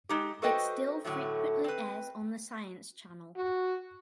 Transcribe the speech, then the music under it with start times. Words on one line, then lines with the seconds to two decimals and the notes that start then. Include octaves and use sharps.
It still frequently airs on The Science Channel.
0.09 G#3 D#4 G4
0.42 F#4 A4 B4 C5 D#5 G5
1.04 A2 D3 F#3 A3
1.64 C4 B4
3.36 F#4